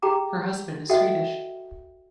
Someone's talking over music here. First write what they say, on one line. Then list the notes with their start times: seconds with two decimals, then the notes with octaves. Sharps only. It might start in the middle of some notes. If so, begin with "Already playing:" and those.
Her husband is Swedish.
0.02 G4 G#4 G5 A#5 D6
0.89 F#4 A4 D#5 E5 F#5 G5